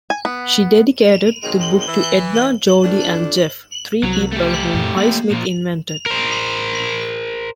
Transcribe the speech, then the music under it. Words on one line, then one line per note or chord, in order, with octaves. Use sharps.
She dedicated the book to "Edna, Jordy and Jeff"-three people whom Highsmith invented.
G#5
B3
C3 D#3 F#3 G#3
E3
F2 D4
C2 F#3
A3 G4
F#2 A#2
A#3
A#2 F3
A#4 C5